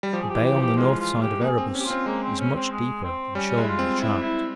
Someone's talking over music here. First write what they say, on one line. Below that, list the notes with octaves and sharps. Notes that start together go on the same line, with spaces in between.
The Bay on the north side of Erebus is much deeper than shown on the chart.
G3
F3 G4
G#4
G4
E3
G4
F3
G4
G#3 F4
F4
G4
A#3 G#4
C4
C#4
G4
F4
C4
G#3 A#3
C4
C#4
C4
G#3
C4
G3 C#4
G#3
E4
F4
C4
E4
E4